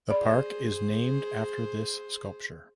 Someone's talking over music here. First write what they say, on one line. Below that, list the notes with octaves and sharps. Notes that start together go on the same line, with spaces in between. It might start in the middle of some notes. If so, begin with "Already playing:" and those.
The park is named after this sculpture.
G#4 C5 D5 B5